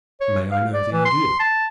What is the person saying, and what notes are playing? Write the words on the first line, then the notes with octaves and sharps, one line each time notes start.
"May I know the idea?"
C#5
F5
D5
E3
C6
A5